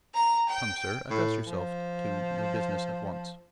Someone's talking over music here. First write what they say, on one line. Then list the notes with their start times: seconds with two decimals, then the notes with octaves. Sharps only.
Come, sir, address yourself to your business at once.'
0.14 A#5
0.49 G5
1.10 A2
1.47 F3